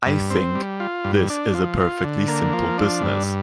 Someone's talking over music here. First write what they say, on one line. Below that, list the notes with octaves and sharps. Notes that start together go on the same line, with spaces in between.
I think this is a perfectly simple business.
G2
C4
G3
F4
G2
D4
F3
F4
D3
A#3
F3
D4
G2